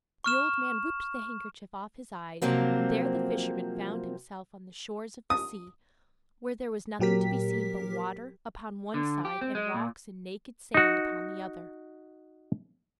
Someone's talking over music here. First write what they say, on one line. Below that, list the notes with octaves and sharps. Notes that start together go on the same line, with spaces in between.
The old man whipped the handkerchief off his eyes, and there the fisherman found himself on the shores of the sea, where there was nothing to be seen but water upon one side and rocks and naked sand upon the other.
C#6 F6 E7
C3 F3 F#3 A#3 C4
D#6
A#2 F#3 G4 A#4 B6
D3
G4
C4
G#3
A#2
D#4 F#4